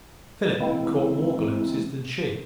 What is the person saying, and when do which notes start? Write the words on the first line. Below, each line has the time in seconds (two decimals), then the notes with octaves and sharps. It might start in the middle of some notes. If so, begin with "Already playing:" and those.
Philip had caught more glimpses than she.
0.61 E3 G#3 A#3 C4 E4